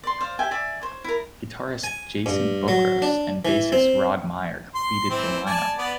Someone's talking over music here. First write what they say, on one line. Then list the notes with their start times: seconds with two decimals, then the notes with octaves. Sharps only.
Guitarist Jason Bokros and bassist Rod Meyer completed the lineup.
0.03 D5 C6
0.21 C5 D5 F5
0.39 G4 E5 G5 G#5
0.51 D5 E5 G#5 D6
0.82 C5 C#5
1.04 E4 A#4
1.84 G#5
2.26 G2
2.68 F#3
3.02 D4
3.45 E3
3.72 C4
4.75 C6
5.10 E3 C4
5.46 D5 G#5 A5
5.78 B3 D5